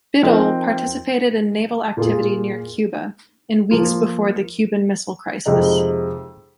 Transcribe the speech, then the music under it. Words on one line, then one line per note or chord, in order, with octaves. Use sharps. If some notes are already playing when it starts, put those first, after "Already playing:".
"Biddle" participated in naval activity near Cuba in weeks before the Cuban Missile Crisis.
F3 C4 D#4 A#4
A#2 A#3 F4 G#4
F3 A#3 F4
F2 C3 G#3 D#4